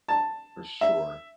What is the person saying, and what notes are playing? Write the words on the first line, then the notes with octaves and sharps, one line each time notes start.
For sure.
A5
E5